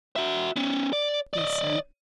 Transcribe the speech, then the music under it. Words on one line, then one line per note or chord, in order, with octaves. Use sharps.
"Yes, sir."
F#4 E5
B3 C#4
D5
D5 D#5